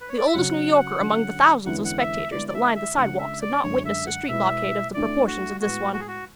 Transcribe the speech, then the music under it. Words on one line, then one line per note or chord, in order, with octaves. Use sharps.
The oldest New Yorker among the thousands of spectators that lined the sidewalks had not witnessed a street blockade of the proportions of this one.
B4
C#5
D5
E5
C#3 F#3 C#4 F#4 F#5
D3 F#3 C#4
E2 D3 G#3 C#4 E4 F#5
F#5
E5
D3 G#3 B3 E4 D5
D5
E5
E5
C#2 C#3 G#3 D4 F#5
E5
D5
F#2 D3 G#3 D4 C#5
E5
F#5
B2 G#3 B3 E4 E5
D2 D3 A3 E4 D5
F#4
A2 G#3 B3 F#4
F#4
G#4
F#4